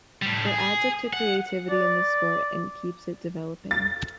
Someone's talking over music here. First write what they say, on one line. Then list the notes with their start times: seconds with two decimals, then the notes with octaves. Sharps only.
It adds up to creativity in this sport and keeps it developing.
0.22 A2 G3
0.46 G#4
1.13 F#5
1.69 D5
3.71 A6